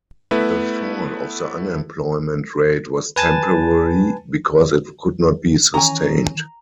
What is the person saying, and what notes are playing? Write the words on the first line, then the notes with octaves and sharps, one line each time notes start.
The fall of the unemployment rate was temporary because it could not be sustained.
A3 B3 E4 B4
B4 G#5 A5 A6
D#3 E3 C#4 G#5 A#5